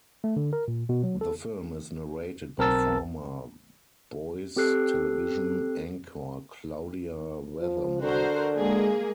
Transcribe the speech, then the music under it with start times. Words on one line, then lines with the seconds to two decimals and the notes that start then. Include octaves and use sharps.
The film is narrated by former Boise television anchor Claudia Weathermon.
0.24 A3
0.36 D3
0.53 A#4
0.68 A#2
0.89 B2
1.03 F#3
1.21 A4
2.58 B1 C4 A#4 A5 E6 A6
4.56 C4 G4 A4 F#6 C7
7.60 F3
8.02 D3 F#4 A#4 C5
8.55 G#3 A#3 G#4